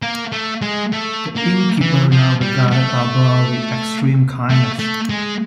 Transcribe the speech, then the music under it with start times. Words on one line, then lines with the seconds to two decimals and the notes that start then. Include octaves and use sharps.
The innkeeper now regarded Barbara with extreme kindness.
0.02 A#3
0.32 A3
0.62 G#3
0.92 A3
1.36 A#3
1.81 E3
2.12 F3
2.41 G3
2.71 A3
4.50 A3
4.79 A3
5.10 G#3